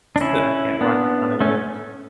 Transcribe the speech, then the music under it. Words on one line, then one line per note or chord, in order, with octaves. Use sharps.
that I can't watch in front of them.
D4
C#4 E4
B3 D4
A3 C#4